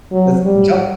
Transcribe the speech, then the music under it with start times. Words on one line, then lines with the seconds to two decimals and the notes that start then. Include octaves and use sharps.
That's Jo
0.12 F#3
0.44 G3